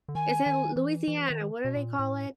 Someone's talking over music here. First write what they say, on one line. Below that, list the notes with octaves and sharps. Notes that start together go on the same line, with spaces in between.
it's in Louisiana; what do they call it?
D3
D#3 G#5
D#3
E3
E3
D#3
B2
A#2
A2